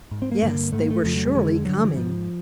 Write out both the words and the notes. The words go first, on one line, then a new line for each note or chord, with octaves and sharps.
Yes, they were surely coming!
G#2
C4
A#3
G2 D3 A#3
G#2 A3
A#3
A3
F2 C#3 F3
F#3
G3
F2 D3 G#3
G2 D3 F#3
E3
G#2 F3